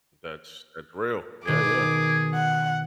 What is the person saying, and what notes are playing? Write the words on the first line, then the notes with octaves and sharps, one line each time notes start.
That's that's real. Yeah, yeah.
B2 D#3 G#4 D6
F#5